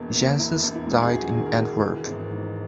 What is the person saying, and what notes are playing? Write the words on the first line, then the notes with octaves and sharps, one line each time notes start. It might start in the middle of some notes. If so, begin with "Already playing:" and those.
Janssens died in Antwerp.
Already playing: E1 E2 B2 A#3
A#3
E1 E4
E1
E4
G#3
G#4
E1 F#4
G#4
D#3
A#4
E1
G#4
E3
G#1
G#2